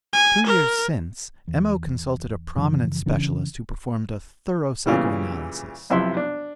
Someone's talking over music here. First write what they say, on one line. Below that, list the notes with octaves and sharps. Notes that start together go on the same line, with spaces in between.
Two years since M.O. consulted a prominent specialist who performed a thorough psychoanalysis.
G#5
A#4
E2
F#2 C#3 E3 F3
C#3 E3 C#4 D4
A#2 C#3 E3 G3
B1 F2 C3 E4 E5 C6
D4